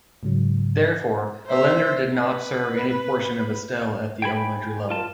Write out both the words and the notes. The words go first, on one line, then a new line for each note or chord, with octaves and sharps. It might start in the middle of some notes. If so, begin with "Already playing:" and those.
Therefore, Ellender did not serve any portions of Estelle at the elementary level.
G#2 C#3 F#3
C5 E5
B4
G5 G#5 B5
F4 A5